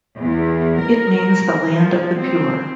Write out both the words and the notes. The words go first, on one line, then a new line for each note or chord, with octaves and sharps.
It means the land of the Pure.
E2
A#4
F3
C4